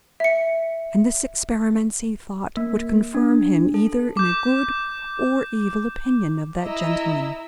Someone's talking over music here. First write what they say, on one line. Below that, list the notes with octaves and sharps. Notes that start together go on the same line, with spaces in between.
And this experiments he thought, would confirm him either in a good or evil opinion of that gentleman.
E5 C#7
A#3
D4
A4
D6 G6
E4 D#5 A#5 E6